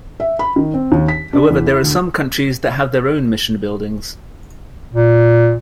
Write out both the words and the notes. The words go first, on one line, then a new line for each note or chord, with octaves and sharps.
However, there are some countries that have their own mission buildings.
E5
B5
D#3
C4
D#2
B6
D4
E2
E4
D2
A#2